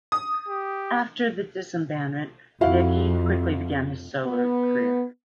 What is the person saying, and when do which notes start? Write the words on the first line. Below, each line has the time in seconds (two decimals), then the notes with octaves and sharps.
After the disbandment Hideki quickly begin his solo career.
0.12 D#6
0.48 G4
2.61 F2 E4 F#4 F5
4.25 B3